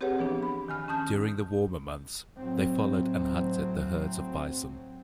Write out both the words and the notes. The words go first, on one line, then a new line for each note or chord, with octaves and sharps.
During the warmer months, they followed and hunted the herds of bison.
C4 G4 G#4 B4 C#5 F#5
E3 F3 B3 D4
B5
D#3 G#5 F6
C#4 A5 D#6 G6
A2 F#3 C4